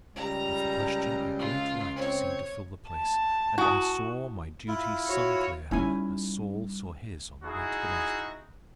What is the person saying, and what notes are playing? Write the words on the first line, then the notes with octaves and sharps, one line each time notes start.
And with the question a great light seemed to fill the place, and I saw my duty sun-clear, as Saul saw his on the way to Damascus.
C#2 G3 A#5
F4
C4 C#5
A5
E4 F#4 G#5 D#6
E4 F4
F#4 C#5
G3 C#4 D#4 E4 G#5
D#4 E4 F#4 G#4